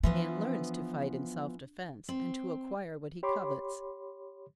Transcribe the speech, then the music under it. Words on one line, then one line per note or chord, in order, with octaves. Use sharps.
Man LEARNS to fight in self-defense, and to acquire what he covets.
E3 F3 B3 D4
C4
G4 C#5 B5 C6 D6